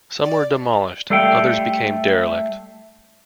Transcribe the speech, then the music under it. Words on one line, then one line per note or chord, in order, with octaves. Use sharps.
Some were demolished, others became derelict.
D5
G3 A3 A4 F5 G5